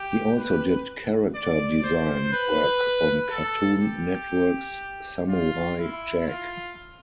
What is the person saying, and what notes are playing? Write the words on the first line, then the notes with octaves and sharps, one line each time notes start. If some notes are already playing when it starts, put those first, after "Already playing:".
He also did character design work on Cartoon Network's "Samurai Jack".
Already playing: G4
B4
D5
C5
B4
A4
G4
F4
E4
F4